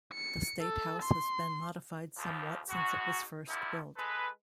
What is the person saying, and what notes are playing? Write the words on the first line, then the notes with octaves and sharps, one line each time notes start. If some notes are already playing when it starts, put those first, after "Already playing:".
The State House has been modified somewhat since it was first built.
C#7
A4
C6
D#2 A2 F3
G#2 F#4
D2 G2 D3 F3 E4
G#3 A4 B4